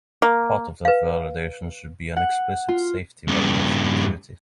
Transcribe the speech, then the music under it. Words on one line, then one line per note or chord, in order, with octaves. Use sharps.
Part of that validation should be an explicit safety validation activity.
A#3
B4 F5
F#5
F4
G2 C#3